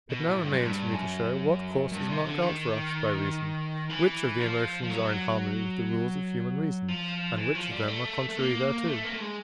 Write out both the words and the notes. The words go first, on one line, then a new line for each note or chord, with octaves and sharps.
It now remains for me to show what course is marked out for us by reason, which of the emotions are in harmony with the rules of human reason, and which of them are contrary thereto.
B2
A2
G2
F#2
G2
F#2
G2
C3
D3
D#3
E3
F3
F3
F#3
F3
E3
F3
G3
A3
A3
A#3
A3
A#3
A3
G#3